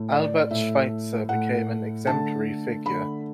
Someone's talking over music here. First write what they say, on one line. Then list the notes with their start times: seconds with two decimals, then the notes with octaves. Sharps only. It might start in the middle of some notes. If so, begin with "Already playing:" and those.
Albert Schweitzer became an exemplary figure.
Already playing: A2 A3
0.12 D5
0.51 A2 A3 E5
1.29 A2 A3 F#5
2.07 D3 A3 A5
2.85 D3 A3 B5